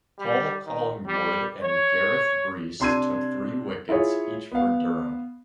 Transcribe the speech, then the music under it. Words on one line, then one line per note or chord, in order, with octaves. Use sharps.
Paul Collingwood and Gareth Breese took three wickets each for Durham.
G3
D#3
G3
C#5
C3 D4 C6 E6 G#6 D#7
E4 F4 G#4 C#5
B3 F5